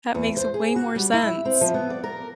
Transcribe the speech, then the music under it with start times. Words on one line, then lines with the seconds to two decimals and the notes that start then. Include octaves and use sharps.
that makes way more sense.
0.15 E2
0.37 C5
0.54 G#4
0.76 F#4
0.96 G3
1.14 E4
1.45 C4
1.61 F3
1.74 B3
1.90 D5
2.04 A#4